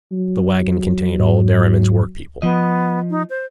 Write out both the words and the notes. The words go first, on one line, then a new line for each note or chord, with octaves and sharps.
The waggon contained all Derriman's workpeople.
F#3
G#2
F3 B3 D#5
D#4
C5